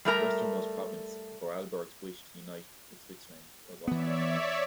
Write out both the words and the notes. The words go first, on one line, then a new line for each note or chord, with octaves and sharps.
The westernmost province Vorarlberg's wish to unite with Switzerland was also ignored.
G3 A3 A#4 A#5
E3 B3 C#5 D5 E5